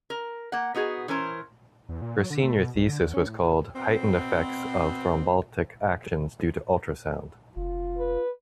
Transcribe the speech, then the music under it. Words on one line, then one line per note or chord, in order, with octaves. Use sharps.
Her senior thesis was called "Heightened Effects of Thrombolytic Actions Due to Ultrasound".
A#4
A#3 F#5
B3 D#4 F#4 G#4
E3 C#4 A#4 C5
E2
A#2
F#3
D3
A3
B2
C2
D3
E2
C#4
A2
A#2
B2 C4
F1 F4
B4